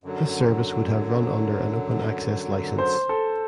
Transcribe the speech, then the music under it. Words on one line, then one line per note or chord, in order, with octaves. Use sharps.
This service would have run under an open access licence.
F#2 D3 F#3
C5
A4